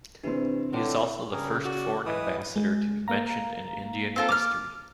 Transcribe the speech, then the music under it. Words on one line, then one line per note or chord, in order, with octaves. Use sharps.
He is also the first foreign Ambassador to be mentioned in Indian history.
C3 E3 C4 D4 G4 B4
D3 E4 C#5 G5
C#3 G3 G#4 A#4
F#4 D5
E3 B4 D#5 D#6
G#3
A#3 F5 A#5
C4 F4 A4
D6 F6